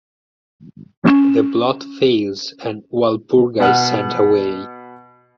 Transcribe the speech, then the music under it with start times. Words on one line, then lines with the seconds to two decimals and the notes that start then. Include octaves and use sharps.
The plot fails and Walpurga is sent away.
1.07 C#4
3.60 B2 F#5 F6